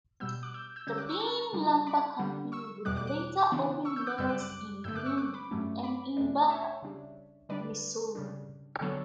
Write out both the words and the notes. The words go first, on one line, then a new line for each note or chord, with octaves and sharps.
The Bean Lumber Company would later open mills in Glenwood and in Buckner, Missouri.
B2 G3 B3 E6 G6
D6 F#6
E6 G6
E6 G6
D3 G3 C#4 E6 G6
D6 F#6
C#6 E6
A5 C#6
C#3 G3 D4
B5 D6
D3 G3 D4
C#6 E6
E2 B2 G3 D6 F#6
D6 F#6
D6 F#6
C#3 E3 B3 D4
C#6 E6
E6 G6
D6 F#6
F#2 C#3 G3 E6 G6
D6 F#6
D6 F#6
G2 D3 A3 E6 G6
D6 F#6
C#6 E6
D6 F#6
B5 D6
G2 F#3 A3 C#4
B5 D6
E2 B2 A3 D4
C#5 E5
C#3 G3 D4
D3 G3 D4 B4 D5
C#3 G3 D4
D3 F#3 B3 D4 A4 C#5